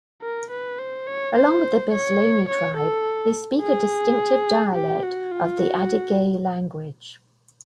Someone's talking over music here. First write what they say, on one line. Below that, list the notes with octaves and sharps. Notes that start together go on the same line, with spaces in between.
Along with the Besleney tribe, they speak a distinctive dialect of the Adyghe language.
A#4
B4
C5
C#5
C5
C#5
C#5
A4
G#4
G4
F#4
F4
F#4